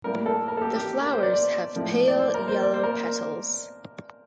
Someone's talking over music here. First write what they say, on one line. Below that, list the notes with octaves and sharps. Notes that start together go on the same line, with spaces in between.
The flowers have pale yellow petals.
A2 G3 A#3 A#4
A4
A#4
A4
G4
G4
A#4
C5
D5
D5
A2 F3 A#3
D5
C5
A#4
C5
D5
C5
A#4